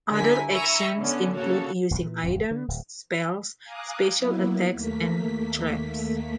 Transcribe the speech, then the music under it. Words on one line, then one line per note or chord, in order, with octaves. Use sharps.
Other actions include using items, spells, special attacks and traps.
D3 G3 E4 A#4 G#5 B6
E5 G#5 A#5 B5 C#6 E6
D3 B3 C#4
C#3 A#3 F#4 A4 C#5
D1 B1 F2 F3
A#2 E3
D1 F2
D3
D1
F5 G#5 A#5 D6 D#6 F#6
F#3 A#3 B3 E4
D#2 A3 A#3 B6